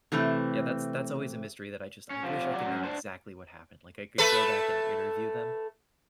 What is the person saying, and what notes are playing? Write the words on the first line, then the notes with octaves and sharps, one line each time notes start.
yeah, that's that's always a mystery that I just I wish I could know exactly what happened, like, I could go back and interview them.
C3 E3 A3 C4
C#4
C3 F3
F#3 D5
F#2
D4 C5
A3 A4 B4